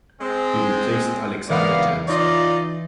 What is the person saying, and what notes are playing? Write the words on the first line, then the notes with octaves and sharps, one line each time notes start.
He replaced Aleksander Janson.
G#3 C4
E3 A#3 B3 D5 F5
D#4 F4 D5 D#5